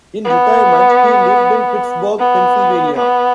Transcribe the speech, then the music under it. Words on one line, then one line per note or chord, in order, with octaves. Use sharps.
In retirement, he lived in Pittsburgh, Pennsylvania.
B3
B3
B3